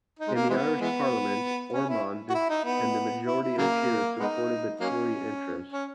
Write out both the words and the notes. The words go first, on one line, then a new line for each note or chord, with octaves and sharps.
In the Irish Parliament Ormonde and the majority of peers supported the Tory interest.
D#4
G#3
A#3
E3 G#3 B3
E3 G#3 B3
C#4
E4
F#4
E4
D#4
B3
E4
E4
C#3 F#3 A#3
G#3 B3 D#4
F#3 A#3 C#4
C#4